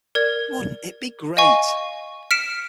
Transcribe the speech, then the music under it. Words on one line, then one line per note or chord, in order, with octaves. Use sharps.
Wouldn't it be great?
A#4 D5 G#6
D#5 F5 G#5 C#6
F6 B6 C#7 D7 E7